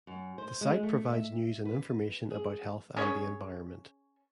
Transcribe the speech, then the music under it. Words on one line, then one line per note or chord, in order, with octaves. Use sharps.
The site provides news and information about health and the environment.
F#2
C5
G#3
A3
E5
B4
G#4
C#4 G#4 C#5